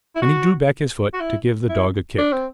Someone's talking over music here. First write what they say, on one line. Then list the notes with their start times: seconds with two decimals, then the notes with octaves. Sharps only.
And he drew back his foot to give the Dog a kick.
0.16 E4
0.22 F#4
1.13 F#4
1.20 E4
1.69 E4
2.18 D4
2.32 C4